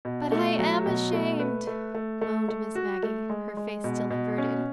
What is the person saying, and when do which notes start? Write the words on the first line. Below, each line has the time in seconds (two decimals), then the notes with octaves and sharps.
"But I am ashamed," moaned Miss Maggie, her face still averted.
0.05 B2
0.32 A3
0.59 F#3
0.86 B2
1.13 A3
1.40 B4
1.67 A3
1.95 A3
2.21 A3
2.48 A3
2.75 F#4
3.03 A3
3.30 G#3
3.57 G#3
3.84 B2
4.10 B2
4.38 C#4